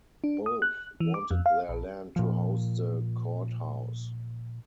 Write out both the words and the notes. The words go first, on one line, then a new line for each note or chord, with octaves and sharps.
Both wanted their land to host the courthouse.
D4
D#6
F#6
E3
D6
F2
F5
A#1
A#2 F3